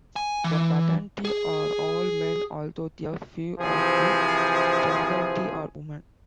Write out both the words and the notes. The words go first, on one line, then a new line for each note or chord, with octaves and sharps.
The "battenti" are all men, although a few of the "flagellanti" are women.
G#5
E3
G#4
C3 E3 F3 G#4